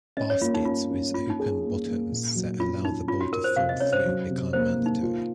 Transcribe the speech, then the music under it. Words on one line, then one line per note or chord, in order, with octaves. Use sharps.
Baskets with open bottoms that allow the ball to fall through become mandatory.
C#4 D#5
C#5
A#3 F4
D#4
C#4 F4
C#4
A#3 F4
D#4
G#4
A#3
A#3
A#2
F#3
C#4 F4
C#4 D#4
C#4 F4
F#4
C#4 A#4
C5
C3 F5
D#5
C#4 C#5
C5
F#3
C3
A#3 C5
A#3
D#4
F4